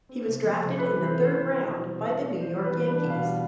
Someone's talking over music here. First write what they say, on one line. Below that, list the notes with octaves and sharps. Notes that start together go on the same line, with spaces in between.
He was drafted in the third round by the New York Yankees.
C4
C3
F3
C3
C4 B4
E3
C5
A3
C5
E3
C4 C5
B2
G3
B2
C4 D5
E3
C5
G3
B4
E3
D4 B4
B2
F5
G3